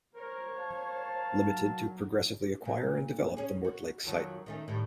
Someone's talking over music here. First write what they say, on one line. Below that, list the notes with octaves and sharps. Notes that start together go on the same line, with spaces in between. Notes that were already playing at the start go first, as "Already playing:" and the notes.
Limited to progressively acquire and develop the Mortlake site.
A#4 C5 C#5
A#4 F5 A5
F#3
A#2
C#4 G#4
F#4
F2 D#3 F#3
D#3 A3 C#4
A2 D#3 G3